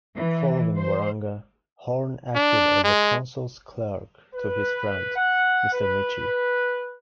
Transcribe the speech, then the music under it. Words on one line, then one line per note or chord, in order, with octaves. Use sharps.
Following Waranga, Horne acted as a "counsel's clerk to his friend, Mr Mitchie".
E3
C5
D4
G#3
B4
F#5
B4